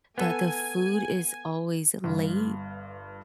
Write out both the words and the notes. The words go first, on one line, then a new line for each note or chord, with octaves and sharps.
that the food is always late
B3 A4 G#5
G1 G2